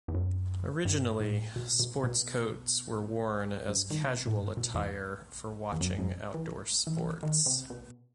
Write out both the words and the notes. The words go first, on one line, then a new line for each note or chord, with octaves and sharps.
Originally, sports coats were worn as casual attire for watching outdoor sports.
E2
F#2
G2
A2
B2
B2
B2
G2
D#3
C3
B2
A2
G2
B2
E2
E2
F#2
F#2
E3
E3
D#3
C3
B2